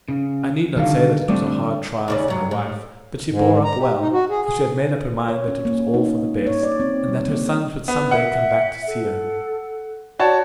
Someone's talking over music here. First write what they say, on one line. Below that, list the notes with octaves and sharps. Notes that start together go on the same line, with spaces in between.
I need not say that it was a hard trial for my wife; but she bore up well, for she had made up her mind that it was all for the best, and that her sons would some day come back to see her.
C#3
D3 D#3 G3 A4 F5
D3 G3 A3 C4 D5
D#2 C#3 D5
C3 F#3
A2
G#2
A#5
G4
D#4
F#4
G#4
G#4
C#5
C#4
A#3
D#4
C#5
D5
C4
G3
A#3
B3
E5 F#5
A4
F#4 C#5 D5 A5